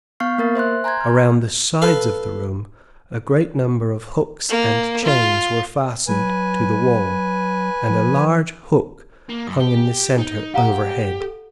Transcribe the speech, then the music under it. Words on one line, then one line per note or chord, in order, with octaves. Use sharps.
Around the sides of the room, a great number of hooks and chains were fastened to the wall, and a large hook hung in the center overhead.
B3 F5 C#6 F6 G6 C7
A#3 A#4 A6
C5 E5 C6 F#6
G#5 A#5 C6 G6 G#6
F6
A4 B4 F5
A#3
F4
F#3 B4 G#5
F3
A#3
F#2 D#6
G4
D#4
G4 F5 F#5 A#5
A4